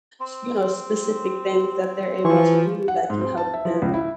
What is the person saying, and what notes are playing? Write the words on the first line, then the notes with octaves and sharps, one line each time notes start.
s you know, specific things that they're able to do that can help them,
C4
E3 F3 C#6
F#5
G#2
C4
A5
E5
F3
C#2
E4